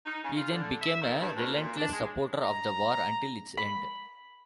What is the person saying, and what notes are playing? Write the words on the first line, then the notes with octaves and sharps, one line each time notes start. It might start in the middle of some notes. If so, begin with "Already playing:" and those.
He then became a relentless supporter of the war until its end.
D#4
C#3
F4
D3
E5
D#3
G2
D2
A#2
D4
G#3
A#5
B5